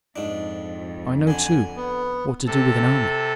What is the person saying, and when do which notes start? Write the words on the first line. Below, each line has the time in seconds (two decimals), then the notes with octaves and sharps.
I know, too, what to do with an army.
0.16 F2 G#2 D4
1.27 D3 D4 G#5
1.76 B3
2.47 C3 A4